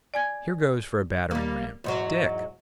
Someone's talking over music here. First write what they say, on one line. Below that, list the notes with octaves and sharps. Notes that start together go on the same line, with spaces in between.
Here goes for a battering-ram, Dick!'
D5 G#5 G#6
G3 A#3
E2 G#2 F#3